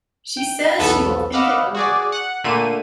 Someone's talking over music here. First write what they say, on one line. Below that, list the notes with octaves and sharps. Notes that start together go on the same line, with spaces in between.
She says she will think it over.
G5
B1 E2 B3 A4
D#5 F5 F#5 B5 D6 E6
F#4 G#4 D5
F#5 F#6
A#2 D3 A3 A#3 D#7